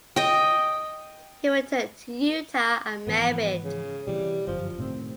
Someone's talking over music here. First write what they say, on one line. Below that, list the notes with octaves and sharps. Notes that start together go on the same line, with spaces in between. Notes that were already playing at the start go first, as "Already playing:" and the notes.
He returned to Utah and married.
D#5 G5
G#2 E3 F3 B3
C#3
C3 E3 G3
G1 F#2 F3
A2 C3 D#3 C4